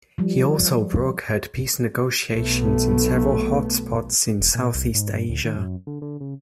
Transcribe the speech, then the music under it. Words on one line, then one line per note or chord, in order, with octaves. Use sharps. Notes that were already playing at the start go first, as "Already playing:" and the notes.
He also brokered peace negotiations in several hot spots in Southeast Asia.
F3 G3
B1 A3 B3
E1
A#2
C2
G#2
G2
D2
D#3
F#2
D3
D3
C#3